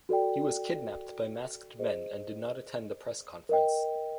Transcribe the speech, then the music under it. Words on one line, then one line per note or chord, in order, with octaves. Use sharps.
He was kidnapped by masked men and did not attend the press conference.
F#4 A4 D5 G5
G#4 C5 D#5
A#4 D#5 G5